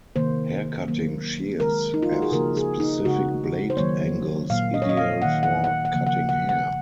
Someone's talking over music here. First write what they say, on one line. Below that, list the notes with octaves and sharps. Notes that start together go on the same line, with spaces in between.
Hair-cutting shears have specific blade angles ideal for cutting hair.
C3 D#3 A#3 C5
D#3 F#3 A#3
D#3 G#3 A#4
D#4
F4
F#4
G#4
C#3 F3 A#3 A#4
G#4
D#4
C#3 G#3 F#4
C5
D#3 F#3 A#3 C#5
A#2 F#3 A#3 F5
D#5
C#5
D#5
F5
D#3 A#3 F#5
F#5
F#5
F#5
C#3 F3 A#3
F#5
F#5
F#5